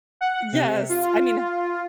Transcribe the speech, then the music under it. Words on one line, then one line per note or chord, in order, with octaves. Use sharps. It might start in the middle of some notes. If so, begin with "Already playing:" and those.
Yes, I mean,
F#5
C3
F4